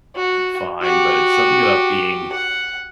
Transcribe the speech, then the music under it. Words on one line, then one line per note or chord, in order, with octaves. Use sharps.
fine, but it's something about being
F#4
F#4 G4
F#5